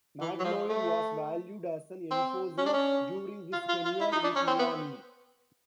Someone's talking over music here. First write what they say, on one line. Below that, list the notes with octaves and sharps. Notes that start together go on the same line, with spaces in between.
Magloire was valued as an enforcer during his tenure with Miami.
E3
F#3
F3
A3
C4
C#4
D4
C#4
F4
F4
F4
E4
D#4
D4
C#4
C4
B3